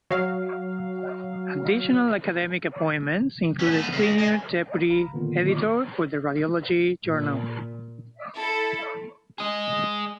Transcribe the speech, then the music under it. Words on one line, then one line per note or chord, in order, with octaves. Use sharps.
Additional academic appointments include the senior deputy editor for the Radiology journal.
F#3 F5
B3 C#4
A3 B3
C#3 G#3
D#5 G#5
B1 F5 A#5 B5
A#2 D3 D#3 A#3 B3 F4
A#2
E4 A4
G#4 D#5